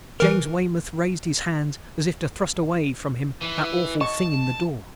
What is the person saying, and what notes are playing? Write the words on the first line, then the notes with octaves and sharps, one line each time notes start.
James Weymouth raised his hands, as if to thrust away from him that awful thing in the door.
E3 A#4
E3
D#5 A5 C#6